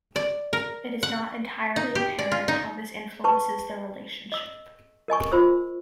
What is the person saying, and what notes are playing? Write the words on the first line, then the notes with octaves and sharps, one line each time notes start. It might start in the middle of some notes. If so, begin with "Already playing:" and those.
It is not entirely apparent how this influences their relationship.
D5
A#4
F#5
D#4
G4
D5
F4
D#4
B4 A5 C#6
D#5 E6
A#4 D#5 G#5 C#6
F4 C5 E6